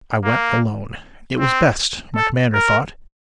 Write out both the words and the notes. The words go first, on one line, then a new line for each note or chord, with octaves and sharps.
I went alone; it was best, my commander thought.
A#3
C4
A4
A#4